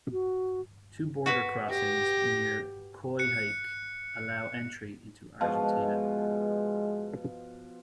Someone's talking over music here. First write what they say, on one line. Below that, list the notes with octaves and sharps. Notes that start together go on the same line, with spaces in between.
Two border crossings near Coyhaique allow entry into Argentina.
F#4
F#4 B4
G4 A#6
F#6 C#7
B2 F3 G#3 F4